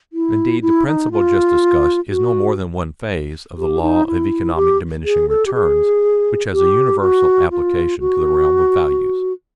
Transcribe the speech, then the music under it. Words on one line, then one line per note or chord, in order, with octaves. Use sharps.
Indeed, the principle just discussed is no more than one phase of the law of economic diminishing returns, which has a universal application to the realm of values.
E4
E4
D#4
F4
F#4
G4
D#4
E4
G4
G#4
A4
G4
G#4
G4
F#4
F4
F#4